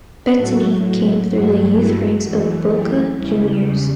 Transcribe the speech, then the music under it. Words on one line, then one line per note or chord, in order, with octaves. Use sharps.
Bettini came through the youth ranks of Boca Juniors.
A2 F#3 A3 F#4 A4
G2 F#3 A3 F#4
E4
F#2 E3 A3 F#4
E4 G4
E2 C#3 G3 E4